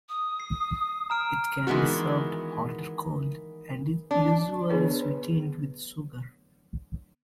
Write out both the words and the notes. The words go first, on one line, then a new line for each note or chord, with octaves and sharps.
It can be served hot or cold, and is usually sweetened with sugar.
D#6
C7
A#5 F6 D7
D#3 E3 G#3 B3 F#4
D4
D3 B3 D4 G#4 B4 C#5